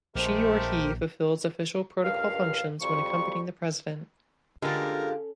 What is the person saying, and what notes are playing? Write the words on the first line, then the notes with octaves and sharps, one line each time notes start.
She or he fulfills official protocol functions when accompanying the president.
A#1 G#3 A3 G4 A#4 C5
C#2 G2 A#4 F5
F2 G3 F#4 C#6
D3 G#3 B3 C#4 F4 G4 A4 A#4